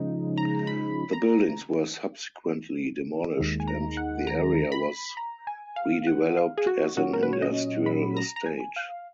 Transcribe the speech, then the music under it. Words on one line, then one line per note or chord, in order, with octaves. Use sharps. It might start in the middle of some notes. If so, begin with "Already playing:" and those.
The buildings were subsequently demolished and the area was redeveloped as an industrial estate.
Already playing: C#3 F3 G#3 D#4
A#5
B5
A#5
D#2 D#3 G#3
G#5
A#5
F#5
A#5
B5
A#5
G#5
F5
F#5
F5
G#4
F#4
A#2 F#3 C#4 F#4
A#4
B4
C#5
D#5
B5
A#5
A#5
G#5
F5